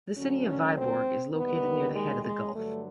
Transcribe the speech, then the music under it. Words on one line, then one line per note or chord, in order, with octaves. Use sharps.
The city of Vyborg is located near the head of the gulf.
D2 D3 F#3 C#4
C#4
C4
D#2 D#3 G3 B3
G#3
G#3
G2 D3 F#3 A3